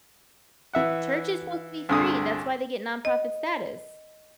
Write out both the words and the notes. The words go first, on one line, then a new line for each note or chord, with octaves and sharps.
Church is supposed to be free. That's why they get nonprofit status.
E3 E5 F#5
C2 G2 D3 G#4 D#6
D#5